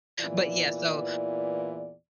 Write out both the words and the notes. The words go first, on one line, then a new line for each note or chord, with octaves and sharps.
But yeah, so
E2 A#2 E3 D5